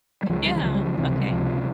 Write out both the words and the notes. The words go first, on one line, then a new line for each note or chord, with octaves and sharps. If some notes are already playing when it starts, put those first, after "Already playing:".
Yeah. Okay.
G3
C#2 C#3 F3
G3
E3
C#2 C#3 F3
G3
F3
C#2 C3 E3
F3
G3
C#2 C3 F3